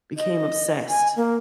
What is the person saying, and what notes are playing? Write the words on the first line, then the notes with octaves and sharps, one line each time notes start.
became obsessed
D#5
G#5
A#3